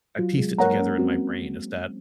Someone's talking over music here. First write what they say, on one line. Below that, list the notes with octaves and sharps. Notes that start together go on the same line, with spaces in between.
I pieced it together in my brain is that,
F#3 F4
G#3
A#3 A#4 C#5 F#5 A#5
C#4
C4 F#4